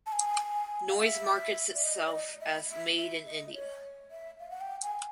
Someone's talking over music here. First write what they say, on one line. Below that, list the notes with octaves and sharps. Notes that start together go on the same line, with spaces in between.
Noise markets itself as "Made in India".
A5
G#5
F5
E5
D5
D#5
D5
D#5
E5
E5
E5
D#5
C#5
E5
F5
F#5
G5
G#5